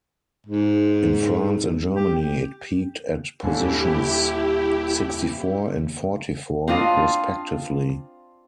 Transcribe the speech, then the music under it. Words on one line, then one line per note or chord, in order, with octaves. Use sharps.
In France and Germany, it peaked at positions sixty-four and forty-four, respectively.
G#2
G4
D#1 D3 E4 G4 G#5
C4 D4 F4 D#5